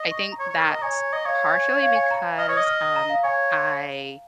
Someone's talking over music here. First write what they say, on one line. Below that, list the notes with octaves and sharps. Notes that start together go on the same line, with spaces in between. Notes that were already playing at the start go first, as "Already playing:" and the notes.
I think that's partially because, um, I
Already playing: D#5
C#6
A#5
C#5 C#6
C#5
A#4 C#6
D#5 A#5
A#5
C#5 G#5
G#5
A#5
D#5
C#5 F5
G#5
F5
G#5
A#5
D#5 F6
C#5
D#6
D#5
F6
D#6
A#5
F5
C#5 G#5